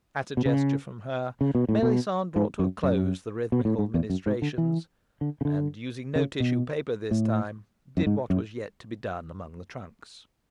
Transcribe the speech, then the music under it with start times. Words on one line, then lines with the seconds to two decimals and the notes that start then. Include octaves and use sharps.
At a gesture from her, Melisande brought to a close the rhythmical ministrations, and--using no tissue paper this time--did what was yet to be done among the trunks.
0.37 B2
0.46 C#3
1.41 C#3
1.55 B2
1.69 A2
1.83 B2
2.36 G#2
2.59 F#2
2.83 F#2
3.52 B2
3.65 A2
3.78 G#2
3.94 E2
4.10 F#2
4.26 G#2
4.42 D3
4.58 E3
5.21 D3
5.41 C#3
5.45 D3
6.16 C#3
6.40 B2
7.11 A2
7.97 F#2
8.07 G#2
8.30 F#2